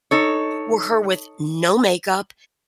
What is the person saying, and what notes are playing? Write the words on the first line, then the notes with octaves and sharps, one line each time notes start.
were her with no makeup,
D#4 A4 C#5